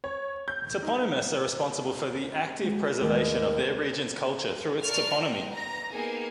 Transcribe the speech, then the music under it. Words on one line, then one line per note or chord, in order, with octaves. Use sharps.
Toponymists are responsible for the active preservation of their region's culture through its toponymy.
C#5
G6
D#4
G#3 F#4
D#2 G#3 A3 D#5 D#6
D4 A#4 A5 C#6 F6
D#5 G5
B4 A#5 A#6
A#3 B3 D#4 G4 G#4 G#5